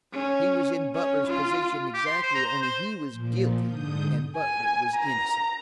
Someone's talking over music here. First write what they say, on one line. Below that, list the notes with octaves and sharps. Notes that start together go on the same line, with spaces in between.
He was in Butler's position exactly, only he was guilty and Butler was innocent.
C#4
C#4
F4
G4
C6
C5
A#5
C5
C5
A#2 F3
G#2 D3 D#6 G6
G#5
A#5